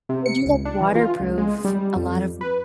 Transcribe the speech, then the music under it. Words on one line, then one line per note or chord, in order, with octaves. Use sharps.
Or do like waterproof, a lot of
C3
C#7
C#2
D4
E3
F4
C#2
G#3
G3
F2
B4